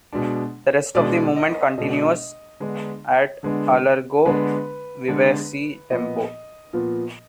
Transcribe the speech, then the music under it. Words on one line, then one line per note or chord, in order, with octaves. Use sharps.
The rest of the movement continues at allegro vivace tempo.
B2 G#3 D4
B2 G#3 D4 D5
D#5
B2 G#3 D4 D#5
D3 G#3 B3 D4
D3 G#3 B3 D4
D3 G#3 B3 D4 B4
D3 G#3 B3 D4
A#2 F3 B3 D#5
A#2 F3 B3